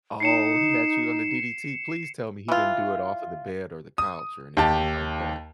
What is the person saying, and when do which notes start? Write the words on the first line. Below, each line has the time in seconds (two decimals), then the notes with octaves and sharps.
Oh, he had you on the DDT. Please tell me he didn't do it off of the bed or the couch or anything like that.
0.20 D#4 C7 C#7 E7
2.48 E3 F4
3.98 D#6
4.57 D#2 G4 A5